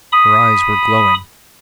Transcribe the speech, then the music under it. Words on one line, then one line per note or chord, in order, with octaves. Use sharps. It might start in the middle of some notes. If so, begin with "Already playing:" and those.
Her eyes were glowing.
B5 D#6